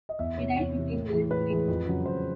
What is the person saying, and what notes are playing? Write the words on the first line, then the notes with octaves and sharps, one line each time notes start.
He died fifteen minutes later.
D#5
E2 E5
C3 E3 C#5
E2 C#5
C3 E3
A2
E3 G#3
A2 B4
E3 G#3
F2
C#3 F#3
F2 C5